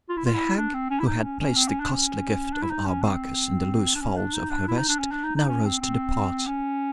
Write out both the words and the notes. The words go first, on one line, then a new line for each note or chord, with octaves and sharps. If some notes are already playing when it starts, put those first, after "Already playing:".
The hag, who had placed the costly gift of Arbaces in the loose folds of her vest, now rose to depart.
F4
E4
F4
E4
D4
C4
C#4
E4
D#4
C#4
C#4
C4
C#4
D4
C#4
D4
E4
D#4
C#4
C4
D4
C#4
D4
D#4
D4
E4
D#4
D4
C#4
D4
D#4
D#4
C#4
C4
C4
C#4